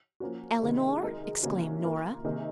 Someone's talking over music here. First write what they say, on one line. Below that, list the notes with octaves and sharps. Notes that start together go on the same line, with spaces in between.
"Eleanor?" exclaimed Nora.
F3 A#3 C#4 F#4
C3 D#3 G#3
G#3 D#4 F#4 A#4
C3 D#3 A#3 C#4 F#4
A#3 F4 A#4
C3 D#3 A#3 D#4 G#4